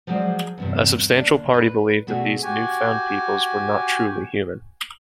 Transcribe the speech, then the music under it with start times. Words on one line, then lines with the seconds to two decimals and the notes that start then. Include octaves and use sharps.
A substantial party believed that these newfound peoples were not truly human.
0.07 F3 F#3 G#3 C5 D5
0.58 E2 G2 C3
1.13 A#3 D4
1.54 B4
2.07 B2 A3 D4 F#4 G#4
2.42 F#4 G4 G#5